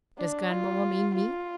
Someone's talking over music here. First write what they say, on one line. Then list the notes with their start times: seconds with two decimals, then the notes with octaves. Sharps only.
"Does grandmamma mean me?"
0.18 D4
0.50 F4
1.15 F4